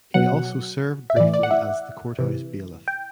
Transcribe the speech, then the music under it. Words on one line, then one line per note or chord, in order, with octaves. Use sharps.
He also served briefly as the courthouse bailiff.
B2 F#3 F#5
E5
A2 E3 D5
D5
F#5
E5
C3 E3
G5